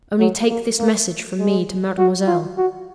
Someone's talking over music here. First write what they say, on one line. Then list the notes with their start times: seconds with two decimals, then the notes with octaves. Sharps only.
Only take this message from me to mademoiselle.
0.20 F#3
0.49 A#3
0.79 A#3
1.39 G#3
1.98 F#4
2.28 F4
2.58 F#4